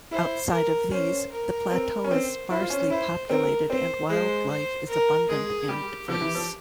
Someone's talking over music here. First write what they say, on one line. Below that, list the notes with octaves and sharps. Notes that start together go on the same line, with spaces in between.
Outside of these, the plateau is sparsely populated and wildlife is abundant and diverse.
E4 C5
A#4
C#4 C5
A#4
C4
C#4
C4 C5
E4 C5
F4
C#4
C#4
E4 C5
C4 A#4
C4 C5
G#3 C5
C5
A#4
G#3 G#4
G3 G4
F3 G4
E3
F3